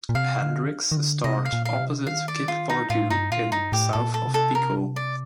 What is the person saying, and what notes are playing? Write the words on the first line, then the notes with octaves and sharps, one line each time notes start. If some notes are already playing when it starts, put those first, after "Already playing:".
Hendricks starred opposite Kip Pardue in "South of Pico".
A#2
C3 F5
D3
D#3
D3
C3 D#5
F5
A#2
F5
C3
D#3 F5
D5
F4
D#4
A2 F4
G2 D#4
A#2 F4
G2 D#4
A2 G4
A2 A4
A#2
A4
C3
A4
A#4
D5